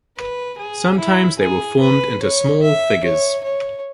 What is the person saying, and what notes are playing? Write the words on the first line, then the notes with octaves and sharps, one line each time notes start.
Sometimes they were formed into small figures.
B4
G#4
E4
G#4
B4
C#5
E5
C#5
C#5